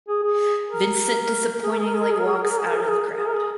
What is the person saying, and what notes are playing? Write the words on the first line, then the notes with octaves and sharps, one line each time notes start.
Vincent disappointingly walks out of the crowd.
G#4
G#4
A#4
G#4
A#4
G#4
A#4
G#4
A#4
G#4
A#4
G#4
A#4
G#4
A#4
G#4
A#4
G#4
A#4
G#4
G#4
A#4
G#4